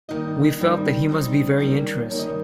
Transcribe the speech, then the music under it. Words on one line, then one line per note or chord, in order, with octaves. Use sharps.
We felt that he must be very interesting.
D#3 G3 A#3 D#4 D#5
D#3 G3 C4 D#4
D#3 G3 C4 D#4 D#5
D#3 G3 A#3 C#4
D#3 G3 A#3 C#4 C#5
D#5